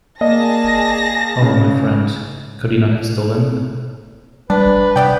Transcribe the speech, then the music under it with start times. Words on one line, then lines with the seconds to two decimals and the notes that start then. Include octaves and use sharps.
Oh, my friend, could he not have stolen it?
0.21 A#3 G#4 D5 D#5 A5 A#6
1.42 C#3
4.50 G3 D4 B4
4.96 C3 B3 D5 G5